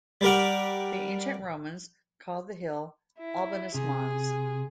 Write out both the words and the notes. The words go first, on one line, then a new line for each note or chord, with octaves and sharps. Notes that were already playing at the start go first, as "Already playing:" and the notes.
The ancient Romans called the hill Albanus Mons.
G3 G4 A#4 F#5
E4
C3 G#4